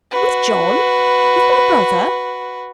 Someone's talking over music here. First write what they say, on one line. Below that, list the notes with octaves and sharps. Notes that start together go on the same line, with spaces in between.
'With John! with my brother!
F#4 B4